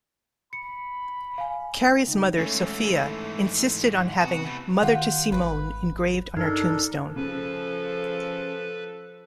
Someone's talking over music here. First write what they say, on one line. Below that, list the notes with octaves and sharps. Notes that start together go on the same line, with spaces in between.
Carrie's mother, Sophia, insisted on having "mother to Simone" engraved on her tombstone.
B5 C#7
F5 G#5
C#2 D#4
G#2 E3 A3 C#4
F#5
C3 B3 F#4 G#5 A5
E3 A3 B5
D#3 F4 G4 F#5
G#1 B4 B5
G2 D4 D#4 A4 A#4
C#3 F3 A4 B4